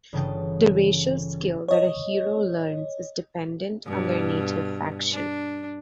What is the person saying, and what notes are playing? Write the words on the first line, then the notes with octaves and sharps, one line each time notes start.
The racial skill that a hero learns is dependent on their native faction.
G1 C#3 E3 G5 A5 D#6
C#5 D#5
G2 B2
D4